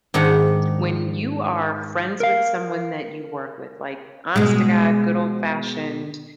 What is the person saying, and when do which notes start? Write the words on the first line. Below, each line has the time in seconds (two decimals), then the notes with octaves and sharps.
when you are friends with someone that you work with- like, honest to God, good old-fashioned
0.14 G#2 D#3 D4 F#5
2.20 A#4 F5
4.36 B2 G#3